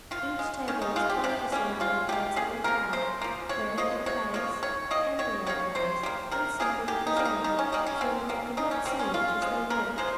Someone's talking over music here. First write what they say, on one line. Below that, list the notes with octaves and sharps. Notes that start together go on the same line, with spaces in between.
Each table was closely surrounded by its own crowd, made up of players, embryo players, and simple lookers-on, so that they could not see much as they walked.
D#3 F4
G#3
D#3 C#4
D#4
G#3 F4
G4
C3 G4
G3 A#3 C#4
C3 F4
G3 A#3 G4
C#3 G#4
F3 A#3 A#4
C#3 C5
F3 A#3
C3 C#5
F3 A#3 D#5
C3 C#5
F3 A#3 C#5
D#3 C#5
G3 A#3 D#5
D#3 C#5
G3 A#3 C#5
C3 C5
G3 A#3
C3 A#4
G3 A#3 G#4
D#3 G4
D#4
G3 A#3
D#4
D#3 D#4
C#4
G3 A#3 D#4
C#4
C#3 C4
G3 A#3
C#3 D#4
C#4
G3 A#3 C4
C#4
C#3 F4
F3 G#3
C#3 A#4
F3 G#3 C5